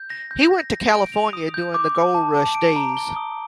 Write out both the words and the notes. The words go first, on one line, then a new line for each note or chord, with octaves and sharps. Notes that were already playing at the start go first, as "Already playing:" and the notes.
He went to California during the gold rush days.
Already playing: G6
A#6
G6
A#6
A#6
D7
F7
D#6
G6
D6
D6
A5
A5
D7
A#5
G7
D#6